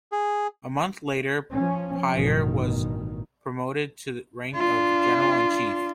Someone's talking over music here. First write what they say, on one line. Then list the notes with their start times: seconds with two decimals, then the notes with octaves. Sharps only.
A month later Piar was promoted to the rank of General-in-Chief.
0.12 G#4
1.53 F3 C#4
2.13 A1 G2 B2 D#3
4.53 D4 F4